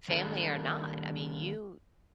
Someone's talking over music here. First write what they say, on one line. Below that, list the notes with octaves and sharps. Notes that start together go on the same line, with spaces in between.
Family or not, I mean, you
D#3 G3 A#3 D4 A4 A#4